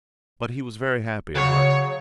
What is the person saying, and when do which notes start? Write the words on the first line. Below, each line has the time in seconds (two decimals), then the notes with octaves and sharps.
But he was very happy at heart.
1.35 C#3 F#3 C#5